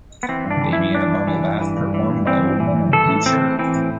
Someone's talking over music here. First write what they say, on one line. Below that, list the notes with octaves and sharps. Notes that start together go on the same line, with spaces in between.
Baby in a bubble bath, performed by a woman in a blue shirt.
B3
E3 C4
G2
D4
E3
G2 E4
E3 D4
G2
E3
G2
E3
G2
E3
G2
E3 C4
G2
E3
G2
E3 A4
A2
E3 C4
A2
E3 C4
A2